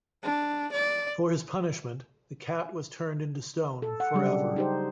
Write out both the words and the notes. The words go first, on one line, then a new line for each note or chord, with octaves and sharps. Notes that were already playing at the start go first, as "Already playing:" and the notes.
For his punishment, the cat was turned into stone for ever.
D4
D5
A4
F#5
C#3 F#3 G3 D4
D#4 G4 C5